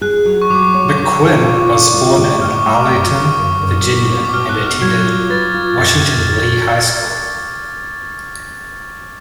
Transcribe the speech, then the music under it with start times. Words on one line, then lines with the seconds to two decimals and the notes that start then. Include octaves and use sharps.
McQuinn was born in Arlington, Virginia and attended Washington-Lee High School.
0.01 G#4 F#6
0.25 F#3
0.42 C#6
0.50 F#3 D6
0.74 C#5
0.98 C#3 C#6
1.22 C#3
1.45 F4
1.70 C#3
1.94 F4
2.18 A2
2.41 A2 F6
2.51 D6
2.59 C#6
2.66 A3 D6
2.83 F6
2.90 F#2 D6
3.13 C#3
3.38 F#2
3.62 F#2
3.86 B2
4.10 B2
4.24 D6
4.34 B2 F6
4.49 F#6
4.57 B2
4.66 F6
4.81 F#3 G#6
5.06 F4
5.30 B4 A6
5.54 F4
5.77 F2 A6
6.02 F2